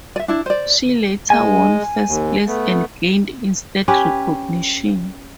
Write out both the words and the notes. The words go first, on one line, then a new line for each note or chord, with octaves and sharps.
She later won first place and gained instant recognition.
D5 E5
D4 E4
C5 D5
G#3 G#5
D#2
A3 B3
C#4 G4 B4